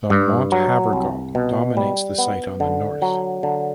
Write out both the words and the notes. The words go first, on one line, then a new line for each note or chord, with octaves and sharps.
The Mont Havergal dominates the site on the North.
G2
F#3
C2
B2
G3
B3
D3
F#3
D3